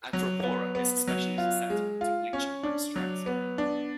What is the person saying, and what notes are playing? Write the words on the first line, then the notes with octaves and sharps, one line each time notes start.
"Acropora" is especially susceptible to bleaching when stressed.
F#3
B3
B3
F#3
F4
G#3
F4
C#4
D4
F#3
B3
D4